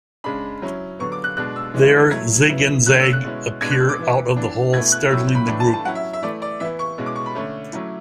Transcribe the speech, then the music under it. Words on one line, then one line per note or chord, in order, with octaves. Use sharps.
There, Zig and Zag appear out of the hole, startling the group.
C#3 G#3 D4 B5
F#3 C#4 E4
D3 F#3 B3 C#6
D6
F#6
B2 G#3 D4 F#6
E6
E3 G#3 C#4 E4
F#3 A3 E4 G#6
C#3 F#3 B3 E4
D3 A3 C#4 F#6
E6
F#6
B2 G#3 C#4 E4
B2 G#3 D4 G#6
F#6
E6
D6
E3 B3 E4
E3 B3 D4
B2 A3 E4 G#6
F#6
A2 F#3 C#4 E4 E6
B5
A2 E3 A3 D4 B5
A5
A5
F#3 C#4 E4 F#5
E5
E5
E3 A3 E4 D5
D5
E3 B3 E4 E5
C#6
B2 G#3 C#4 E4
D6
C#6
B5
D3 A3 C#4
F#3 A3 C#4 E4